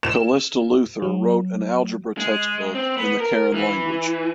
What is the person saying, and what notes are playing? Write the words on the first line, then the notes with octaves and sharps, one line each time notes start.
Calista Luther wrote an algebra textbook in the Karen language.
E7
F#3
G#3
C4
B3
A#4
E3